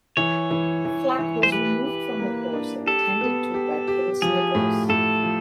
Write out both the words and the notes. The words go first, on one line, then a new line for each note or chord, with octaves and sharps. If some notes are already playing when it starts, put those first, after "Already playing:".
Flack was removed from the course and tended to by Prince Nicholas.
E3 C#5
E3
E3
E3
C5
G4 B4
G4
A#3
D4
G4 A4
B3
G4
G4
F3 G#4
A2
A2 A4
F3